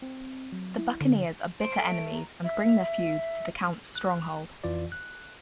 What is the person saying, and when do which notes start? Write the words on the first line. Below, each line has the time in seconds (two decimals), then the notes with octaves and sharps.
The buccaneers are bitter enemies and bring their feud to the Count's stronghold.
0.02 C4
0.52 F#3
0.78 E4
1.01 D3
1.61 C5 D7
1.77 A3
2.14 A#5
2.44 E5
3.95 F#6
4.64 F2 E3 F4 D5
4.92 F#6